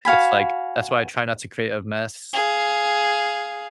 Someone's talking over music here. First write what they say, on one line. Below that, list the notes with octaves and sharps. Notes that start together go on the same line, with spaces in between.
it's like that's why I try not to create a mess,
F#4 F5 G#5 B5
G#4 F5